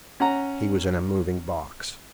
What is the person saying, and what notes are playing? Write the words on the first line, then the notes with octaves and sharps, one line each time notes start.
He was in a moving box.
C#4 F#5 A#5